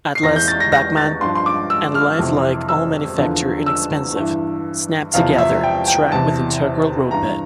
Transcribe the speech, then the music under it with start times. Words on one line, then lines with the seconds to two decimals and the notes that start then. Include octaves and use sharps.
Atlas, Bachmann, and Life-Like all manufacture inexpensive, snap-together track with integral roadbed.
0.15 C7
0.23 E2 E3 A#6
0.36 G6
0.48 A6
0.60 A#6
0.72 A#6
0.97 A6
1.21 G2 F3 C6
1.35 C6
1.46 D6
1.70 E6
1.95 F6
2.19 F2 C3 E3
2.69 E6
3.18 E2 D3 F3
3.66 E6
4.16 G2 E3
5.14 E2 C3 F3 F5
5.38 E5
5.64 G5
5.88 G5
6.12 E2 C3 E3 A5
7.10 G2 E3 A#5